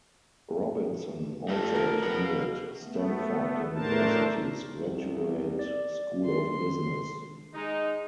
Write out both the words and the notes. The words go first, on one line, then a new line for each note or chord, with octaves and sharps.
Robinson also attended Stanford University's Graduate School of Business.
A3 F4 A4
A#4
F#4 B4
F5
A3 B3
A2 A3 D4 A#4 C5 A5
C2
D5
D#3 G#3 D4 C6
G#3 D#4